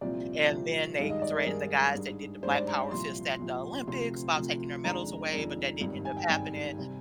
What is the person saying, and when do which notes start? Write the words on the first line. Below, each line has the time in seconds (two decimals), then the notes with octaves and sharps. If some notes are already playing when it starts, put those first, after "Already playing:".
And then they threatened the guys that did the Black Power fist at the Olympics about taking their medals away, but that didn't end up happening.
0.01 C2 A#2 F3 C4 D5
0.50 C2 A#2 F3 C4
0.98 G2 D#3 G#3 D#4 F5
1.10 D#5
1.22 D5
1.34 A#4
1.46 G2 D#3 G#3 D#4 G#4
1.95 G#2 G3 D4
2.43 G#2 G3 D4 C5
2.55 D5
2.67 A#5
2.91 C2 A#2 F3 C6
3.39 C2 A#2 F3
3.87 D2 C3 F3 C4 C6
4.36 D2 C3 F3 C4
4.84 F2 D#3 G#3 D4 A#5
5.32 F2 D#3 G#3 D4
5.81 G#1 G2 D#3 G3
6.05 G#5
6.17 G5
6.29 G#1 G2 D#3 G3 G#5
6.77 C3 G3